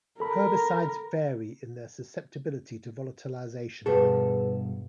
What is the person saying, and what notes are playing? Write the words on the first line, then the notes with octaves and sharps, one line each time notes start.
Herbicides vary in their susceptibility to volatilisation.
A4 A#4 B5
G2 B2 G#4 A4 B4